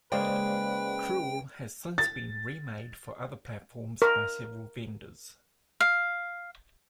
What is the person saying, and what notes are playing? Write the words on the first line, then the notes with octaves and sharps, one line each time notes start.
Cruel has since been remade for other platforms by several vendors.
C#3 G#3 A#3 B4 C5 D5 F5 G5
A6
A#4
F5